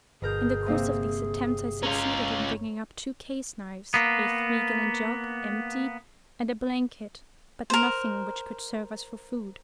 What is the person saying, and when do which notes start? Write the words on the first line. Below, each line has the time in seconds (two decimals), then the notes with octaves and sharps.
In the course of these attempts I succeeded in bringing up two case-knives, a three-gallon jug, empty, and a blanket, but nothing which could serve us for food.
0.22 G1 B2 G#4 A#4 G6
0.66 C3 A#3 C4
1.83 C#4 F4 C#5 A#5
3.94 A#3 B3
7.70 A#4 C5